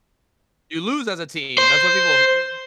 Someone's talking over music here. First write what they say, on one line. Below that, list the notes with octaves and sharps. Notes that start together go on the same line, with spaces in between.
You lose as a team, that's why people m
C5